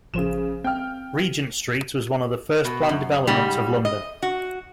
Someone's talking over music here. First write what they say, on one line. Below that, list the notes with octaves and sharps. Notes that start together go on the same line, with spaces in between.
Regent Street was one of the first planned developments of London.
A1 C#3 F3 C5 E7
C4 F5 G5 F6
B2
F#2
G#2 C#3 G3
D#5
F#4